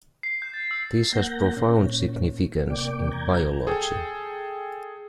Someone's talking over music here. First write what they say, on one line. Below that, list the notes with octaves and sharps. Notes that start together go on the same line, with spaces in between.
This has profound significance in biology.
C7
G6
A6
E6
A#3 F#5 G6 A#6
A#2 C#4
C3 A#3 D5 G5 D6
E2 A#5 G6 G#6
G#4 A4 G5